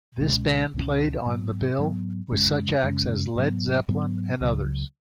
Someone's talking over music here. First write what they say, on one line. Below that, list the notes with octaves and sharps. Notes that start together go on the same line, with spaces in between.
This band played on the bill with such acts as Led Zeppelin and others.
C#2 B2 G#3 C#4
C#2 B2 G#3 C#4
G#2 F#3 B3
G#2 F#3 B3
F#2 C#3 G#3 C#4
F#2 C#3 G#3 C#4
G#2 F#3 B3
G#2 F#3 B3
C#2 C#3 F#3